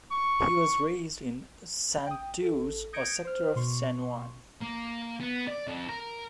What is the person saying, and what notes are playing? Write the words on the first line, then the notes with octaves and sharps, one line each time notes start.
He was raised in Santurce, a sector of San Juan.
C#6
G5 D#6
A4
D#6 G6 G#6 A#6 C#7 D7
C5 F6
B2 C6 C#6
A#3
B3
D5
F2
A#4